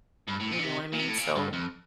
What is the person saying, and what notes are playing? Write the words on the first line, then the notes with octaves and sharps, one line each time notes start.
Eh, you know what I mean? So
G2
A2
A#2
D3
C3
A#2
C3
A2
A#2
G2
F2